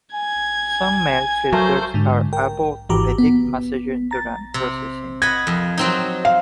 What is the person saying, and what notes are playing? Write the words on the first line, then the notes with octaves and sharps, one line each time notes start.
Some mail filters are able to edit messages during processing.
G#5 G#6
F#3 A3 A#3 C5 C6
G#2 D3
A#4 G5
G#1 E3 F#4 G4 A#5 D6
B3
A#5 A6
C3
D#5 F#5 B5 G#6
F2
F#3 C4 D#4
F5